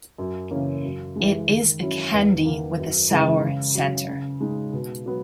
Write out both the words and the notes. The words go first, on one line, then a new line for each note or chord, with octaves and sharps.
It is a candy with a sour centre.
F#2
C#3 E3 A#3 C#4
F#2
E3 G#3
D#3
F#3 C#4 E4
E2
D#3 A#3
F#2
C#3 E3 G#3
C#3
F#3 C#4
C#3
G#3 D#4
B2
F#3 B3